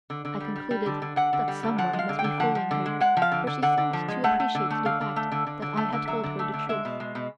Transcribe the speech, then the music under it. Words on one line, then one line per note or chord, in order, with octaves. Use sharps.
I concluded that someone must be fooling her, for she seemed to appreciate the fact that I had told her the truth.
D3
D3
G3
G3
G3
D3
D3
D3 F#5
D3
G3
D3
F3 F#5
G#3
F5
D3
G5
D3
F3 F#5
F3
D3
G#3
G#3 F#5
F3
F5
D3
D3
D3 F#5
D3
F3
G#3
A3 F#5
A3
D3
A3
D3 F5
D3
A3
D3
D3
D3
A3
D3
F#3 E5
D3
A3
D3
G#3 E5
B2
G#3
B2